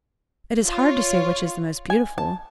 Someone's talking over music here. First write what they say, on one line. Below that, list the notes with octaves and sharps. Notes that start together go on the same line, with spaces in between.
"It is hard to say which is the most beautiful."
F4 C#5
G#5
A5